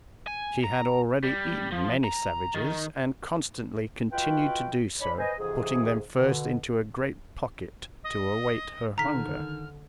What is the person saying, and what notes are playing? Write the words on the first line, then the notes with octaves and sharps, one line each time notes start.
She had already eaten many savages and constantly continued to do so, putting them first into a great pocket to await her hunger.
G#5
A#5
G3
F3
A#5
D#3
G#3 F4 F#4 B4 G5
C#4 D4 C#5 D#5 B5
B4 C5 D#5 G#5
F2 G#2 C3 E3 G#4
B2 D3
D#5
D3 D#3 A#5 F6 B6